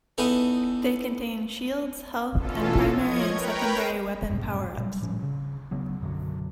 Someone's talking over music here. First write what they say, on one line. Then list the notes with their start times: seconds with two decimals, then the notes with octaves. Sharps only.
They contain shields, health and primary and secondary weapon power-ups.
0.18 E2 E3 B3 D#4 A4
2.37 B2 E3 C#4 F4 A4
2.95 F3 C#5 D#5 G#6
3.30 A#4 B4 C#5 G5 A#5 B5
4.30 B1 F#2 A2 C3
4.78 A#2 F#3 G3
5.03 A2 F3 G3 C#4
5.23 C#3
5.71 D2 C#3 F#3 B3
6.01 B1 F#2 D3 F#3